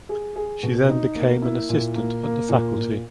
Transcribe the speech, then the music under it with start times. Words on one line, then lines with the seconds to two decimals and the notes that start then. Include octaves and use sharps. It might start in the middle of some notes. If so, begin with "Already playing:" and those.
She then became an assistant at the Faculty.
0.09 G#4
0.36 G#4
0.63 B2
0.89 D#4
1.15 A#3
1.42 E4
1.69 A#2
1.95 A#3
2.23 A#3
2.49 A#2
2.77 A#2